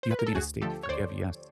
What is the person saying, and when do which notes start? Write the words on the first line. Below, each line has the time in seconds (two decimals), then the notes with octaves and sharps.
you have to be in a state to forgive, yes.
0.03 C5
0.11 B4
0.19 A#4
0.27 A4
0.35 D2 F#4 G#4
0.62 D3 F3 A3 G4 A4
0.83 C#5
0.89 D2 C5 D5